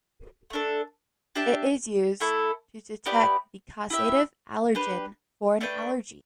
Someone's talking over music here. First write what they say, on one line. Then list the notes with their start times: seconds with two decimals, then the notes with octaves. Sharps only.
It is used to detect the causative allergen for an allergy.
0.50 A3 D4 A4
1.36 D4 G4 E5 A5
2.20 A3 E4 A4
3.06 B3 E4 G4 D5
3.90 E4 G4 E5
4.75 D4 G4 B4
5.61 A3 D4 B4 G5